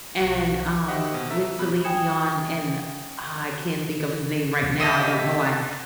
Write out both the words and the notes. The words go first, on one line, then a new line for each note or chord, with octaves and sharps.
and, um with Celine Dion and, ah, I can't think of his name right now, I don't know why,
B1 F#4
F#4 G4 C5 D#5 E5 F#5
B2
A4 E5 A#5
B2 B5 F#6
G5 G#5 D#6 G#6 C#7 E7
G4 A4 D#5 E5